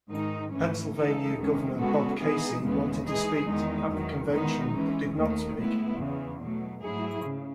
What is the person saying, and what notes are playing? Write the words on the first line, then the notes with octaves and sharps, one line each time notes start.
Pennsylvania Governor Bob Casey wanted to speak at the convention, but did not speak.
G#2 D#3 G#3 D#4
G#2 E3 A3 C#4
E3 G#3 D#4 A4
E2 D#3 G#3 C#4
C#3 G#3 B3 F#4 A4
E3 B3 D#4 G#4
D#2 C#3 E3 G#3 B3
E3 G#3 D#4 G#4
E2 D#3 G#3 D#4
E2 D#3 F#3
E2 D#3 G#3 B3 D#4
E3 G#3 C#4
D#2 D#3 A3
A2 G#3 B3 E4
E2 C#3 E3
B2 F#3 A3
G#2 F#3 A3 E4 G#4
C#3